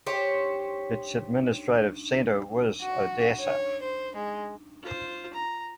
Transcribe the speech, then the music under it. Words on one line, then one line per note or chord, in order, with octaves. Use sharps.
Its administrative centre was Odessa.
G4 C5 C#5
F#4
C#5
C5
G#3
F4 C5
A#5